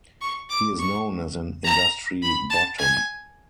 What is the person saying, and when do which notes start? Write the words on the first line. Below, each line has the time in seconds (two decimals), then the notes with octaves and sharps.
He is known as an industry bottom.
0.21 C#6
0.49 D6
0.79 C#6
1.64 A#5
2.22 B5
2.50 A5
2.78 G#5